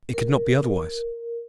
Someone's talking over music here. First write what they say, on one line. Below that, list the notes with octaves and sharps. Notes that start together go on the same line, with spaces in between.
It could not be otherwise.
A#4